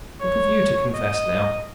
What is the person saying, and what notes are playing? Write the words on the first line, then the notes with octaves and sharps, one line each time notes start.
What have you to confess now?
C#5
D#5